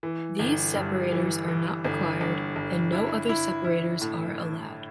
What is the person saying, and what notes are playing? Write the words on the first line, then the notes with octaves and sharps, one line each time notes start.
These separators are not required, and no other separators are allowed.
E3
G1
G2
E3
E3
G1
G1
G1
E4
E4
E4
A2